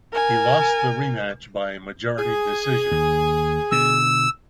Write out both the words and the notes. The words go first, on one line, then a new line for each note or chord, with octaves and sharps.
He lost the rematch by majority decision.
A#4 G#5
G#4
D#2
B2 D3 E6